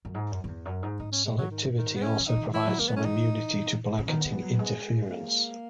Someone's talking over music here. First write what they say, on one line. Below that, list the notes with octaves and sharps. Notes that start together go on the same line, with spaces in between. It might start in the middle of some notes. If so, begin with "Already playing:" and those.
Selectivity also provides some immunity to blanketing interference.
F#2
G#2
F#2
F#2
E2
F#2
G#2
G#2 D#4
C#4
G#3
F#3
D#3
D#3
B3
C#4
E3
D#4
D#3
E3 E4
F#3
G#3 A#3
B3
F#3 C#4
E3 D#4
B2
C#3
D#3 B3
C#3
G#3
F#3
G#3
A#3